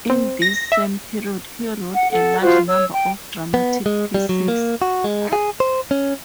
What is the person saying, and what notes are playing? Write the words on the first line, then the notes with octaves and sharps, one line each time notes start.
In this same period he wrote a large number of dramatic pieces.
C4
A#6
E5
F#5
A4 F#5
F4 F#4 C5
C#5 E6
G5
B3
G#3
G3
F#3
A#3
F#4
G#3
G#4
C5
C#4